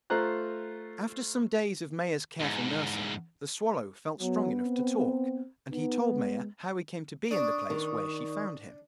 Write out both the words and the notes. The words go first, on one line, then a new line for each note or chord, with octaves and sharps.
After some days of Maia's careful nursing, the swallow felt strong enough to talk, and he told Maia how he came to be in the place where she found him.
A3 F4 C5 A#5 F#6
E2 G#2
F#3 B3
C4
B3 D#4
G#3
D4 D5 C#6 D#6
D#3